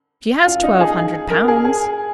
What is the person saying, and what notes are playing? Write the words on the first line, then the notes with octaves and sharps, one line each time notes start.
"She has twelve hundred pounds."
F4
D#4
G#4
A#4
G#4
G#4